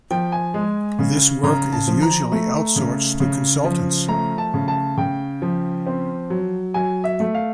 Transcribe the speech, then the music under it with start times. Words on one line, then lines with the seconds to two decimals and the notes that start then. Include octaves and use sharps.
This work is usually outsourced to consultants.
0.11 F3 G5
0.32 G#5
0.54 G#3
0.99 C#3
1.43 C#3 A#5
1.72 A5
1.88 F3
2.02 A#5
2.32 A3
2.76 C#3
3.20 C#3
3.65 F3
4.08 A3 A#5
4.38 A5
4.54 C#3
4.68 A5
4.97 C#3 G5
5.42 F3
5.86 C4
6.30 F#3
6.74 F#3 G#5
7.04 E5
7.20 A3
7.35 F5